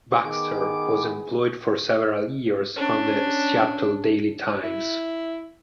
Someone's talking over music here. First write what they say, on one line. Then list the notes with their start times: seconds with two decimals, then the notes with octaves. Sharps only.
Baxter was employed for several years on the "Seattle Daily Times".
0.25 D#3 B3 G#4 D6
2.76 C#4 D4
4.63 E4